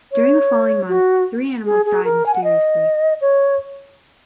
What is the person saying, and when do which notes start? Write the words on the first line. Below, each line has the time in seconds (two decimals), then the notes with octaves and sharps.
During the following months, three animals died mysteriously.
0.12 C#5
0.89 F#4
1.66 G#4
1.86 G#4
2.05 A#4
2.26 G#5
2.34 F#5
2.44 D#5
3.21 C#5